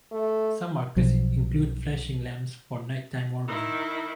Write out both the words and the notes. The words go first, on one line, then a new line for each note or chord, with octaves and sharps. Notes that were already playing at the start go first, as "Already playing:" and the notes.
Some markers include flashing lamps for night-time warning.
A3
B1 B2 F3
D#3 E4